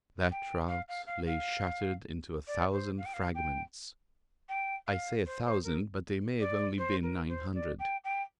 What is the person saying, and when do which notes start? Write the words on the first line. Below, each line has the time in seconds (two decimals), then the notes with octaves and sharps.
That trout lay shattered into a thousand fragments--I say a thousand, but they may have only been nine hundred.
0.31 G5
0.68 F5
0.88 F5
1.06 F5
1.26 F5
2.47 D5
2.72 C5
2.97 F5
3.05 G5
3.13 F5
3.34 G5
4.48 G5
4.86 F5
5.25 C5
5.44 C5
5.63 A#4
6.39 D5
6.77 C5
7.03 A#4
7.28 C5
7.54 D5
7.79 G5
8.04 G5